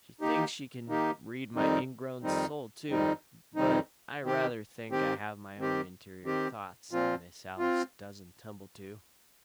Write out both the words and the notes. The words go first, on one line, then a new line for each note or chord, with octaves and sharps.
She thinks she can read my ingrown soul too--but I rather think I have my own interior thoughts that Miss Alice doesn't tumble to.
D#3 A#3 D#4 G4
D#3 A#3 D#4 G4
F2 D#3 G3 C4 D#4
F2 D#3 G3 C4 D#4
F2 D#3 G3 C4 D#4
F2 D#3 G3 C4 D#4
D#3 C4 G4
D#3 C4 G4
D#3 C4 G4
D#3 C4 G4
A#2 F3 C4 F4
C4 F4